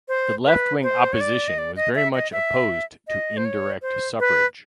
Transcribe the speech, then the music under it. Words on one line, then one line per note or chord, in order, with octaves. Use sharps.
The left wing opposition was very much opposed to indirect suffrage.
C5
B4
C5
C#5
D5
D#5
D5
D#5
E5
D#5
E5
D#5
C5
C#5
C5
B4